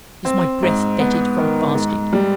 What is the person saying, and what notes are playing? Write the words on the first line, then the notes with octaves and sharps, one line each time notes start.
Is my breath fetid from fasting?
C4
G#2
B3
D#3
G#2
G3